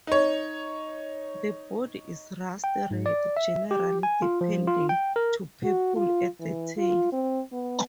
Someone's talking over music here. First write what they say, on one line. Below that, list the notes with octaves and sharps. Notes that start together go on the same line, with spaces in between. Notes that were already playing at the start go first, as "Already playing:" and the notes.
The body is rust red, generally deepening to purple at the tail.
D#4 C#5
G5
G#2
D5
E5
G4
G#5
F4
F3
F4
G5
A#4
F#4
F4
E3
F4
C4
B3